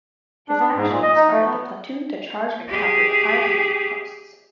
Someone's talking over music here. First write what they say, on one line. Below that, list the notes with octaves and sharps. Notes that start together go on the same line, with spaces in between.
His action inspired the platoon to charge and capture the five remaining posts.
D4
B3
G#2
A#2
D#5
D#4
A3
B3
G4 G#4